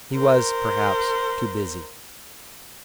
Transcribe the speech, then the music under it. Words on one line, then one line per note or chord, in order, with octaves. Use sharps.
He was, perhaps, too busy.
A#4 C5